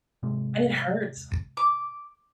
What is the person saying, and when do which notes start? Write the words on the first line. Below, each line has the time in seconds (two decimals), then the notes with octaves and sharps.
and it hurts.
0.23 G#2 C3 G#3
1.57 D6